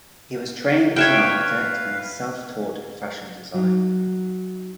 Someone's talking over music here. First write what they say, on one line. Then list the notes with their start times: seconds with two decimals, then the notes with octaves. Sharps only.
He was trained as an architect and is self-taught in fashion design.
0.96 B4 C#5 E5 F5 G5
3.54 F#3 D#4